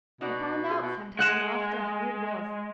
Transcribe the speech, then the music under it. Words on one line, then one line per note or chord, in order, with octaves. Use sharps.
I found out, some time after, how it was.
B2 D#4 F#4 D5
G#4
B2
G#3 F#5 F#6 E7